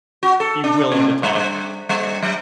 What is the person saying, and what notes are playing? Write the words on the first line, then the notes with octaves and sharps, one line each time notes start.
be willing to talk.
F#4
A4
D4
C3
G3
G3
G3
F#3